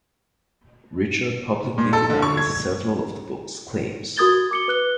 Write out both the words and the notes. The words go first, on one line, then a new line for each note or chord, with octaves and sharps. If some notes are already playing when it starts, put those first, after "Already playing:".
Richer publicly denies several of the book's claims.
A#2
A4
D3
C#6
G#6
F#4 A#4 D#6 G#6 A6 G7
F#4
D6 C#7 G7
B4 F#6 G7